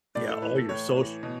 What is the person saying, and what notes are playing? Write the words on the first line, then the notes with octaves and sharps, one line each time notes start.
yeah, all your soc
A2 D5
A4
E3 B4
A4
A2 C#5
E3
B2